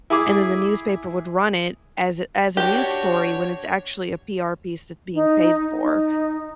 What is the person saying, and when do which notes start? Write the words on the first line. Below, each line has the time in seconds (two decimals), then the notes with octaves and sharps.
and then the newspaper would run it as a as a news story when it's actually a PR piece that's being paid for.
0.10 E4 G#4 D6
2.57 D4 F#4 G4 C#5
5.15 D#4
5.82 D#4